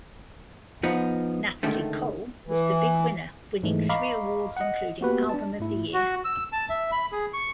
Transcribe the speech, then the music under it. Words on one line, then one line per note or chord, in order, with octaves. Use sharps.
Natalie Cole was the big winner winning three awards including Album of the Year.
F3 B3 D#4
C#2 D3 D#3 A3
E3
G#2 E3 G#3 A3
D#5 F5 A#5 B5 C#6 D6
D#5 F#5
A#3 B3 F#4 G4 B4
D4 A5
G#2 A3 E4
F#4
E6
A5
E5
B5
G#4
C#6